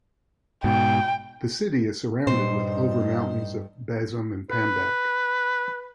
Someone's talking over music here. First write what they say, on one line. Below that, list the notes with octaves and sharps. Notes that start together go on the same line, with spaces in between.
The city, is surrounded with the over mountains of Bazum and Pambak.
G#2 B2 G5
G2 A#2 D4 D#4 C5 D#5
B4